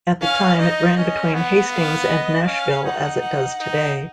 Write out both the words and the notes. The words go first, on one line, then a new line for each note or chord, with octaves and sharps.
At the time, it ran between Hastings and Nashville as it does today.
C#4 F5
D#4 D#5
C#4 D#5
B3 F#5
F5
D#5
C#4 F5
D#4 F#5
F#5
D#4